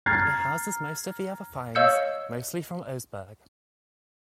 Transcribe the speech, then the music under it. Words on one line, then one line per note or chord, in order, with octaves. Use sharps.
It houses most of the other finds, mostly from Oseberg.
A#5 F6 G#6 A6 C7
C#5 D#5 F5 E6 G6 C#7